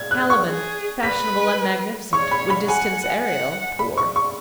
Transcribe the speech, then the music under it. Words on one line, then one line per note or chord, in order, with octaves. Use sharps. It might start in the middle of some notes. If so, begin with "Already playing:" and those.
Caliban, fashionable and magnificent, would distance Ariel, poor.
Already playing: G#6
F#6
C#6
G#4
B4 B6
C#5 C#6
B5
B5
F#5 G#5
F#5
B5
C#6
C#6